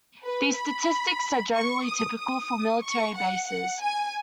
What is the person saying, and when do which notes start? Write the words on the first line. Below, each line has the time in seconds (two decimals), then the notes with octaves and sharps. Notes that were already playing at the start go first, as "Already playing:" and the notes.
These statistics are generally typical for military bases.
0.24 B4
0.56 B5
1.53 C#6
1.87 D#6
2.19 D#6
2.83 C#6
3.16 F#5
3.48 F#5
3.81 G#5